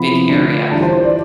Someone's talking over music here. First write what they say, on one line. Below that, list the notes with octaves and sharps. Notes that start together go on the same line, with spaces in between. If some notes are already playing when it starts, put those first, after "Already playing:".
big area,
Already playing: C3 F3 B3 E4 B5
D3 A3 D4 F4
E3 G3 D4 F4 A5
C5
C5
D5